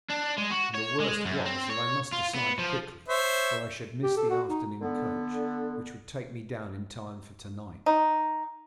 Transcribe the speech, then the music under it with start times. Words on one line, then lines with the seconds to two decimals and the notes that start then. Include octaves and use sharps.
And the worst was, that I must decide quickly, or I should miss the afternoon coach, which would take me down in time for to-night.
0.10 D4
0.38 G#3
0.51 F#4
0.75 C#5
1.00 G#3
1.25 F#2
1.45 C4
1.70 C#5
2.12 F4
2.35 B3
2.59 F3
3.08 C5 C#5 E5
4.03 G4
4.17 A4
4.30 F#4
4.49 D#4
4.81 D3 B3
7.86 D#4